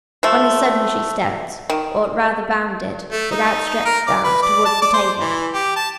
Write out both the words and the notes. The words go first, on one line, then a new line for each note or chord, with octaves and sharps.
On a sudden she stepped, or rather bounded, with outstretched arms, towards the table.
F3 A3
D#3
A3
D#4
A#4
D5
B4
D5
A5
D5
C5
E3
G4
A5